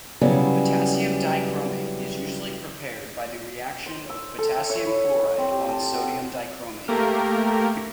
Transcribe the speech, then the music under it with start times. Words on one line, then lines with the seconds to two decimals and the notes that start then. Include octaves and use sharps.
Potassium dichromate is usually prepared by the reaction of potassium chloride on sodium dichromate.
0.21 C#3 F#3 G3 B3 E4 G#4
3.86 C5
4.09 E6
4.38 A4
4.57 E5
4.70 C#5
4.87 E4
5.04 C#5
5.23 C#6
5.38 C4
5.51 G4
5.69 A5
5.93 F#4
6.88 A3 A#3 G4 A#4